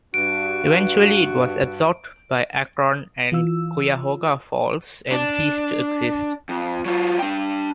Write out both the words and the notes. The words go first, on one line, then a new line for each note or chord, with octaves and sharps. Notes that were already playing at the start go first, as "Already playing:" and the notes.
Eventually it was absorbed by Akron and Cuyahoga Falls and ceased to exist.
G2 F#4 D7
E3 F4 E6
D4
F2
F#3 F4
D4 G5